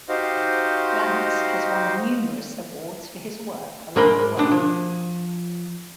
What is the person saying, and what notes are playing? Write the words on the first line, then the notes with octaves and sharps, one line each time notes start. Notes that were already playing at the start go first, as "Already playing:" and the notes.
Lantz has won numerous awards for his work along the way.
D#4 F#4 G4 C5 D#5 F5
G#2 G#3 A#4 B5 C6
B1 D4
F3